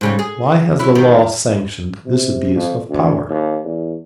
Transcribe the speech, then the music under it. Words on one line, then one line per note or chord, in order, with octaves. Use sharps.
Why has the law sanctioned this abuse of power?
G#2 C#3 G3
G#4
F#3 E4
D#3
C3
F2
D2
D#2
E2